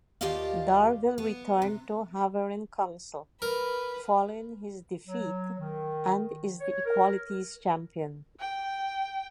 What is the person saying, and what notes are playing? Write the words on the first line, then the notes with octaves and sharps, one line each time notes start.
Darvill returned to Havering Council following his defeat and is the Equalities Champion.
D#2 F4 G4 D5 D#5 F5
B3
C3
A#4 B4
F#3
D#3
C#5
A#4
G5